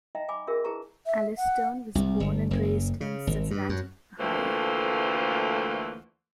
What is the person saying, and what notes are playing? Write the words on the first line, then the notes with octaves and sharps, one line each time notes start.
Alice Stone was born and raised in Cincinnati, Ohio.
D#4 D#5 E5 G5 A#5
G#5 B5 D6
D4 F#4 G#4 A#4 E5
E4 G#4 B4 A5 A#5 C#6
E5
F#5
C2
G1
F#1
C#3
G#1
G2
F#2
D2 E3 F3 A3 A#3 C5